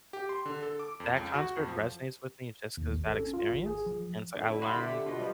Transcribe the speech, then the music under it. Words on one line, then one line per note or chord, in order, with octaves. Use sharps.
that concert resonates with me just 'cause that experience, and it's, like, I learned
G4
C6
D3
A4
D6
F2
C#2
F#4
F2
F3
D#2
G#1
A4
C#4
F4
G#1
G#4
F3
F2 A2 D3
G3 E4
F#4 B5 C6
D3 G4 A4 E5
B2 F4 B4 D#5
F3 G3